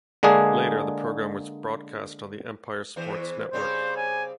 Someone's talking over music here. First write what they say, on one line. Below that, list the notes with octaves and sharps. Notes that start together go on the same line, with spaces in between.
Later the program was broadcast on the Empire Sports Network.
D3 G#3 A#3 D4 G#4
E2 E3 C5
C#3 G3 C4 C5
G#5